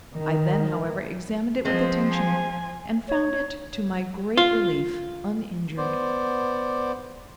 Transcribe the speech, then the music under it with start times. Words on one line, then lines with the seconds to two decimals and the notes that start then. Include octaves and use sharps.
I then, however, examined it with attention, and found it, to my great relief, uninjured.
0.15 D#3
1.65 F3 G#3 C4
2.13 G#5
3.08 C#5
4.37 F4
5.78 B3 C5 D5